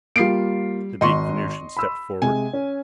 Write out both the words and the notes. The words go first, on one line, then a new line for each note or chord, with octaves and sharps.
The big Venusian stepped forward.
G3 A#3 F4 C7 D7
G#1 D#5 C6 C#6
B5 E6
C3 G#3 G#5
C#4